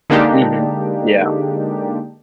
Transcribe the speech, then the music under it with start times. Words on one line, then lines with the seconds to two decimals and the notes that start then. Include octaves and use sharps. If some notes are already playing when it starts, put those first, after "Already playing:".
Mhm, yeah.
0.10 D3 G#3 A#3 D4 D#4 G4